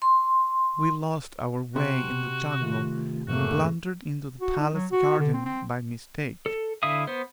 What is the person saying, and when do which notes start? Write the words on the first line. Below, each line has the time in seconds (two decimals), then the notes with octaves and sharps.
"We lost our way in the jungle and blundered into the palace-garden by mistake."
0.02 C6
1.76 C3 F#4
2.61 D#3 A3 F4
3.28 F2 G#2 C#3 E3 A3 A#3 F#4
4.41 F#4
4.59 D#4
4.74 F#3
4.92 F#4
5.19 D3
5.34 C4
5.45 C4
6.46 A4
6.83 D3 E4 E5 F5 D#6
7.07 B3 C5